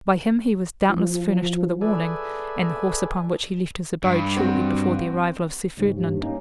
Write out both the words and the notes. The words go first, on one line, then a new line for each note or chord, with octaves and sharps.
By him he was doubtless furnished with a warning, and the horse upon which he left his abode shortly before the arrival of Sir Ferdinand.
F3
G#4 A4 B4 D5 E5 G#5
G2
C4 F#4
C#2 G#2
D#2
G2
A#3 C#4 D#4